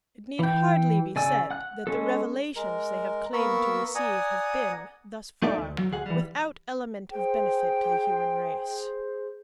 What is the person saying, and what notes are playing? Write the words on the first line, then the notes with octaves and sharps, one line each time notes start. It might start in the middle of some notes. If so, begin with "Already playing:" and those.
It need hardly be said that the revelations they have claimed to receive have been, thus far, without element of benefit to the human race.
E3 G5
C#3 D5 G#5 E6
F#5 F#6
G#3 C#4 A4
G#3 A#4
A#3 B3 A#4 B5 C#6 E6
D5 F#5 G#5 A#5 D#6
A3 D#4 A4 D5 E5
D2
F#3
D2 G#4 F#5
E3 G3
G#4 C5 G5